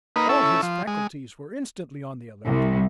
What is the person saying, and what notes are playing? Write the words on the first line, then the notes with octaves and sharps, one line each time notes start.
All his faculties were instantly on the alert.
A#3 D#4 B4
C#4 E4 A4
F3
G#3
C2